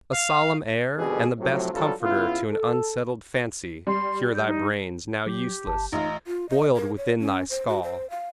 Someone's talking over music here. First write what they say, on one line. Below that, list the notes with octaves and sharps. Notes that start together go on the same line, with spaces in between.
A solemn air, and the best comforter To an unsettled fancy, cure thy brains Now useless, boiled within thy skull.
F5
G#1 F2 B2 D3 G4 G#4
A2 C3 F3 F#3
G2 C3 F#3 G3 F4 A4
C#3 B3 E4 F4
A4
G3 C6
G6
D#4
F#3 G4
G1 A5
A1 D#4 F4 D#5 A#5
F4
D#5
A#4
C#5
C#4
C5
F#4
C5
F5